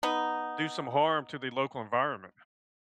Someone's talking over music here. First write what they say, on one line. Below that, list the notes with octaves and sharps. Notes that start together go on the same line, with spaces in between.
do some harm to the local environment.
B3 D#4